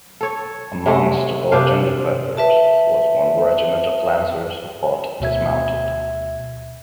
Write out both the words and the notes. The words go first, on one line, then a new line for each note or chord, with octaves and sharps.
Amongst the Belgian defenders was one regiment of lancers who fought dismounted.
A4 C#5
C3 G#3 A3
C3 D4 C5 F5
B4 E5 A5
D2 B2 E5 G#6